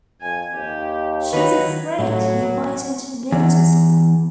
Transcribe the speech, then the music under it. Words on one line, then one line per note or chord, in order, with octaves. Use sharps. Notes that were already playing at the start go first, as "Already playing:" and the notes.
She was afraid He mightn’t notice her.
F2 G#5
D#2 G4
D#3 F#3 D#4 B4
A2 F#3
E2